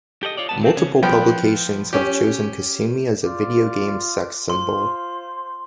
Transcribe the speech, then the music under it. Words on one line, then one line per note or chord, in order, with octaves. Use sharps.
Multiple publications have chosen Kasumi as a video game sex symbol.
G4 A4 D5 D#5
F4 C#5 D5
G2 B3 A5
F#3 C4 F4
E2 C#3 C#4
F3 B3 G5
C#4 G4
F4 D5
F4 C5 C6